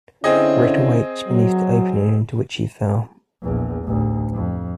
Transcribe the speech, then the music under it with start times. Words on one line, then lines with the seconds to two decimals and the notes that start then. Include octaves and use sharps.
Rick awakes beneath the opening into which he fell.
0.24 D3 C4 C#4 E4 G#4 D#5
1.28 F#3
3.42 A#1 E2
3.85 A1 D2
4.33 F2